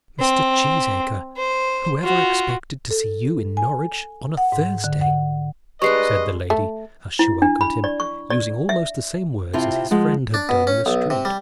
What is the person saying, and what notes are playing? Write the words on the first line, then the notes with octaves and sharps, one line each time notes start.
"Mr. Cheesacre, whoever expected to see you in Norwich on a Thursday?" said the lady, as she welcomed him, using almost the same words as his friend had done in the street.
C4
C5
F4 F#4
A4
G#5
F#5
G#2
D3
F#5
G3 G#3 D4 B4 D#5 C#6 C7
A3
E4
D4
B5
D5
C#6
D5
E5
C3 C4 E4 F4 A5
F3 G#3 F#5
D4
B2
C#4
B1
C3
G3